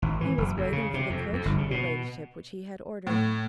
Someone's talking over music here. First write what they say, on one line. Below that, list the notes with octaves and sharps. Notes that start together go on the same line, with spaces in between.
"He was waiting for the coach, your ladyship, which he had ordered."
G#1
E3
F#1
F2
C#3
C3
F2
F2
G1
C#3
B2
A2